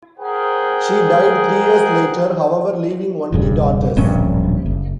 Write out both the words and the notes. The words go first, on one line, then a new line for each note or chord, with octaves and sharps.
She died three years later, however, leaving only daughters.
G#4 A#4 C5 F#5 G5
E1 G2 C#3
D1 A#1 G2 C#4
F#1